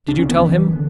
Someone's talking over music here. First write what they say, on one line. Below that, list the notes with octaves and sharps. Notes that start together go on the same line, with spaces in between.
Did you tell him?
C#2 C#3 D4
C#4
B3
E3
D3